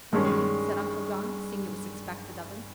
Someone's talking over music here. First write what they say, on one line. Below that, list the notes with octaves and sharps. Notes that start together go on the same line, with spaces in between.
"Really?" said Uncle John, seeing it was expected of him.
G2 D#3 G#3 C#4